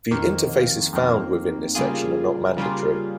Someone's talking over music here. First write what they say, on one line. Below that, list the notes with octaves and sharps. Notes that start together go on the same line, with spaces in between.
The interfaces found within this section are not mandatory.
F2 D#3 A#3
F2 D#3 A#3
C#3 G3 A#3 F4 G#4
C#3 G3 A#3 F4 G#4